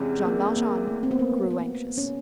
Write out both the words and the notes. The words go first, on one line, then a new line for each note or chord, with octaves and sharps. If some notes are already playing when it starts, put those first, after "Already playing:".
Jean Valjean grew anxious.
Already playing: E2 C3 E3 G#3 C#4
A#3
A#3
A3
C4
B3
A#3
B3
C#4